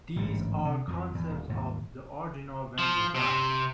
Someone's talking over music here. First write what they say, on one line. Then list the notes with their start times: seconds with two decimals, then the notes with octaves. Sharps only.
These are concepts of the original van design.
0.16 A1 G#2 D3
0.65 C3
0.88 F2 F3
1.15 E2
1.31 D#1
1.50 D#1 D#2 G#2
2.79 F3
3.15 C3